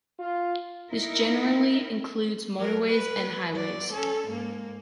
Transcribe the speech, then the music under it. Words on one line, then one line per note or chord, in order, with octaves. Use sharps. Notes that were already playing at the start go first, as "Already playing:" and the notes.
This generally includes motorways and highways.
F4
D#4 E4 A#4
F#3 A#4
B4
F#3 D5
C#4 A4
G#2 A#3